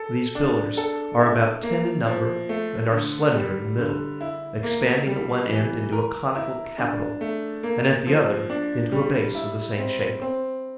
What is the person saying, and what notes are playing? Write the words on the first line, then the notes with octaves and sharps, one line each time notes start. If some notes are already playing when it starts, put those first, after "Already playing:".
These pillars are about ten in number and are slender in the middle, expanding at one end into a conical capital and at the other into a base of the same shape.
Already playing: A4
D4
A4
E4
A#3
F3
A3
D3
G3
D3
E4
A#3
G3
E3
A#4
E4
D4
A3
A#3
F3
D4
G3
E4
C4
C4